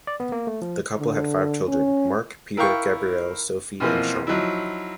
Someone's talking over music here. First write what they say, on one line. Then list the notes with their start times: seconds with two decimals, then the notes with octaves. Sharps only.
The couple had five children: Mark, Peter, Gabrielle, Sophie and Sean.
0.07 D5
0.20 B3
0.32 A#3
0.47 A3
0.62 F3
0.99 D3
1.68 C#4
2.57 E4 A#4 F5 G5 C#6
3.80 B2 E3 F3 A#3 C4
4.27 F3 F#3 D#4 E4